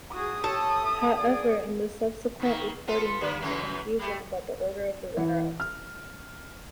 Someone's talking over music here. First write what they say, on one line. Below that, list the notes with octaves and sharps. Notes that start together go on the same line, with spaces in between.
However, in the subsequent reporting there was confusion about the order of the runners-up.
F#4 G#4 D#6
G4 A4 C#5
E5
G#4 D5
G#2 D#3 A#3
B3 F4 A4
D3 A#3 B4
F#2 C#3 E3
G3 A3
E3
F6